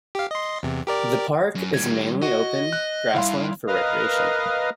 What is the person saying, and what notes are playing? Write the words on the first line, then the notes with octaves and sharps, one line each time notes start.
The park is mainly open grassland for recreation.
G4 F5
D#5 C6
E2 C3
G4 A#4 D5
F#2
D#3 G3 G#6
F#4 D#5
F#6
D2 G2 E4 F5 C6
A#4 B4 D#5 F5 D#6 F6